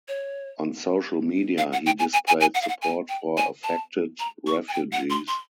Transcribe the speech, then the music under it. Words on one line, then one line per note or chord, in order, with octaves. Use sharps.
On social media, he displayed support for affected refugees.
C#5
F5
F#5
G5
G#5
G#5
G#5
G#5
F#5
F5
F#5
G#5
G5
G#5
A5
A#5
C#6
G#5
G5
F#5
C6
C6